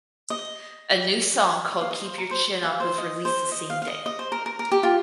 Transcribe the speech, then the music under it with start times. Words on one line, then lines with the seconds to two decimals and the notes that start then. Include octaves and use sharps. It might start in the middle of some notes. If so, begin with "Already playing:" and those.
A new song called "Keep Your Chin Up" was released the same day.
0.30 D#5
1.81 F5
1.91 D#5
2.05 C5
2.18 A#4
2.31 C5
2.63 F5
2.80 C5
2.98 D#5
3.25 C5
3.52 D#5
3.70 F5
3.82 F5
3.88 D#5
4.06 D#5
4.19 C5
4.32 A#4
4.46 A#4
4.59 A#4
4.71 G4
4.83 F4